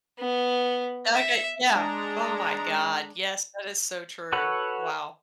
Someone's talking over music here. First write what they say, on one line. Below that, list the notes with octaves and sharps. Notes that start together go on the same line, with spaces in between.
Okay. Yeah. Oh my god. Yes, that is so true. Wow.
B3
E5
G#3 D4 A#5
F#4 A4 B4 C#5 F#5